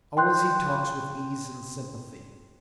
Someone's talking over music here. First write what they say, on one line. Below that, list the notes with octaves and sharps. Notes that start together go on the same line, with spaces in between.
Always he talks with ease and sympathy.
G5 C6 F#6 G6